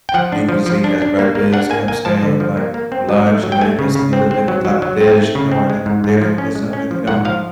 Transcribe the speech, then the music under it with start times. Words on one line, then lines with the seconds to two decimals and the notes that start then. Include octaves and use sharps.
new cuisine as breakfast, you know what I'm saying? Like, for lunch, you know, you get some other different type of dish, you know? And then for dinner, you get something, you know?
0.09 G5
0.14 F3 F#5
0.32 D4
0.49 F3
0.66 F3
0.84 D4
1.02 D4
1.19 A#3
1.35 A#3
1.53 D4 F#5
1.70 A#3 G#5
1.88 A#3 G#5
2.05 F3 A5
2.23 D3
2.40 F3
2.57 A#3
2.74 A#3
2.92 C4
3.09 F#3
3.27 A3
3.43 F#3
3.52 G5
3.61 A3 G#5
3.79 C#3
3.95 C#3
4.13 C4
4.31 C4
4.48 F#3
4.65 F#3
4.82 F#3
5.01 C4
5.18 A3
5.35 C#3
5.51 C4
5.70 G#3
5.86 G#2
6.04 G#2
6.22 F3
6.38 C#4
6.55 G#3
6.73 C#4
6.91 F3
7.07 G#2 F#5
7.25 F3 F5